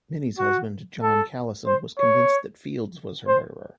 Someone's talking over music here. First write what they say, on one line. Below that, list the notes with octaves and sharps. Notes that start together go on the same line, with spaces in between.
Minnie's husband, John Callison, was convinced that Fields was her murderer.
F#4
A4
C5
C#5
C5